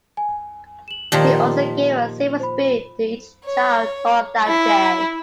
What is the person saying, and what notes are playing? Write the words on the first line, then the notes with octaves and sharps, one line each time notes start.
He also gave a silver spoon to each child born on that day.
G#5
E7 F#7
A#2 D#3 F3 G4 A5 C6
C5 B5
C#5
E4